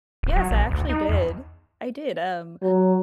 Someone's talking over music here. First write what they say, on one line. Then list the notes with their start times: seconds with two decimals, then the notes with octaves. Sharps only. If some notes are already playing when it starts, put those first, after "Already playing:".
Yes, I actually did. I did, um,
0.23 D1
0.36 F#3
0.51 A#1
0.71 D2
0.89 D#4
1.09 E2
2.62 F#3